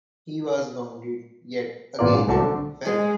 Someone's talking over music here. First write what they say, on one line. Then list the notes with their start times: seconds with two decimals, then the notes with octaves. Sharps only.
He was wounded yet again and fell.
1.99 G#1 A#2 B3 F4 A#4 D5
2.15 G#2
2.28 C2 A3 F#4 D5 A5
2.42 D3
2.85 G#3